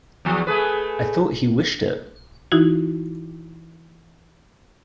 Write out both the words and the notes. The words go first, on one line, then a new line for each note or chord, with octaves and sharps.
I thought he wished it.
E2 F3
A3 G#4 B4
E3 D#4 E4 F#4